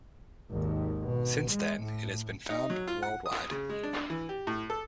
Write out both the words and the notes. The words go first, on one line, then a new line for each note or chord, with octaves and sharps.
Since then, it has been found worldwide.
G#1 D#2
B2
G#3
A2
D#4
F#3
F4
F#5
D#6
C#3
G#3
D4
E3
G4
A2
A4